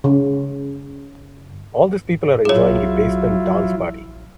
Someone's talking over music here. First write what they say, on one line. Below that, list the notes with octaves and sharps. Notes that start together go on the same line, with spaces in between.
All these people are enjoying a basement dance party.
C#3
F#3 E4 F4 G#4 C#5